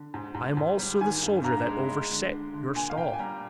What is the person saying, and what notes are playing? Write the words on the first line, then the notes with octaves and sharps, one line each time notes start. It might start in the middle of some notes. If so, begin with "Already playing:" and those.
I am also the soldier that overset your stall.
Already playing: D3
G#2
G#2
G#2
G3
D#3 G#5
G2
G2 A#5
G#3
G#3
D3
D3
D3
A#2 G#5
F5
A#2 G5
G#5
G3 A#5